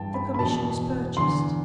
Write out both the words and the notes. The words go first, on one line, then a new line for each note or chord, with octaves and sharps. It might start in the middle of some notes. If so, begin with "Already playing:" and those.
The commission is purchased.
Already playing: G2 E3 G5 A5
B5
B5
E2 B2 A5
E2 D3 C6